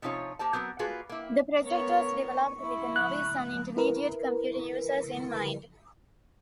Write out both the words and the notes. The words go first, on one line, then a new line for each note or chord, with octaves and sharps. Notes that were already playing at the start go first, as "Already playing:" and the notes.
The project was developed with novice and intermediate computer users in mind.
C3 F3 C#4 D#4 F4 C#5
A#3 G4 C5 A5
F#3 B3 C4 A#4
A#3 F4 F#4 G#4 B4
A#3 E4
B3 A#4 C#5 C#6
E4
F#6
E4 A#4 B4